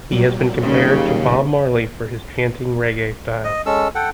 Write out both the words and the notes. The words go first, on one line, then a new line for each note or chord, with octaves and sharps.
He has been compared to Bob Marley for his chanting reggae style.
A#2 F#3 G3
D#2 C#3
D#5
G#3 C#4 A4 E6
A4 F#5 G5